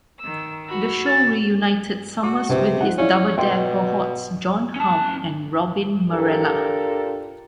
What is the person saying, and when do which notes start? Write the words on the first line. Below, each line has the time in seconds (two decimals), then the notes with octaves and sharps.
The show reunited Summers with his "Double Dare" cohorts John Harvey and Robin Marrella.
0.19 D#3 E6
0.66 F#4 B5 E6
1.06 A6
2.23 F#4 D6
2.49 C#2 C3
2.81 F3 D#4 F#5
2.98 C#4 E4 F4 D5
3.37 B2 E5 G5 C6
4.76 C#4 A5
6.10 D4 F4 G4 A4 A#4